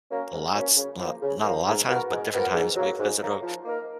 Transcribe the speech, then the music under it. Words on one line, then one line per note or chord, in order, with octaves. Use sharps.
lots not not a lot of times, but different times. We've visited a
F#3 A#3 C#4
G#2
F#3 A#3 C#4
C#3
F3 A#3
C#3
F3 A#3
G#2
F3 B3 F#4 A#4
G#2
F3 B3 F#4 A#4
G#2
F#3 A#3
G#2
F#3 A#3
F3
A#3 D#4 A#4